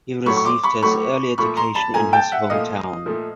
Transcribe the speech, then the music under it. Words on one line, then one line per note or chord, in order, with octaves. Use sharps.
He received his early education in his hometown.
A2 F#3 A3 B5 C#6
C#6
C6 D6
B5 C#6
A2 F#3 A3 B5 C#6
A#2 F3 A3 B5 C#6
A#5 C6
A5 B5
A#2 F3 A3 G#5 A#5
G5 A5
E5 F#5
A#2 F3 A3 D#5 F5
A#2 F3 A3